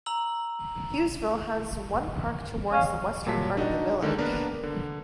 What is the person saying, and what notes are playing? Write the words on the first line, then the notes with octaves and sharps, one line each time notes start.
Hughesville has one park towards the western part of the village.
A#5 E6 F#7
C#4 F5
A#2 F#3 G3 A5 B6
D4 D#4 F#4 D#5
D3 D#3 G#3
A#3 B3 D4 A#4 B4
D3